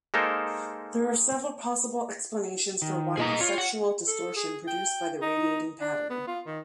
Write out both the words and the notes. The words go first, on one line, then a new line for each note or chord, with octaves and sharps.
There are several possible explanations for why perceptual distortion produced by the radiating pattern.
G#3 A#3 D#4 A4 A#4 C5
D#3
B2 A#3 D#4 G#4 D#5 A#5
F4 C#5
F#5
A4
G#4
G5
D#4
D4
B3
F4
D#3